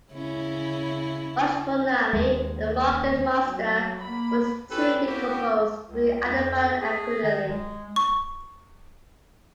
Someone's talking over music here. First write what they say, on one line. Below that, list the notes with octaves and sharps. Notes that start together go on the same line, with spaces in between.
Unfortunately the "Margate monster" was too decomposed to be identified accurately.
C#3 C#4 E4
D#2 G#3
F#3
A#3 B5
A2 C#4 G4 A4 B4
A#3 C4 C#4 E4 F#4 G4
C#2
F2
G#4
D#3
G#3
C#6